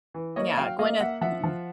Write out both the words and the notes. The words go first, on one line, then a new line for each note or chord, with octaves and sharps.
Yeah, Gwyneth. Mm-mm.
E3
A#3 C#5 D#5
F#3 F5 G5
A#3 D#5 F5
A#3 E5 F#5
F3 E5 F#5
F3